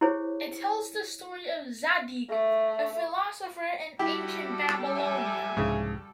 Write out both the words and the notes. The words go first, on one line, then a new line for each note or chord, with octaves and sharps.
It tells the story of Zadig, a philosopher in ancient Babylonia.
E4 G4 G#4 C5 C#5
A3
G3 E4 F#4 G4 A4
E5 G#5
C2 F2 G#2 C#3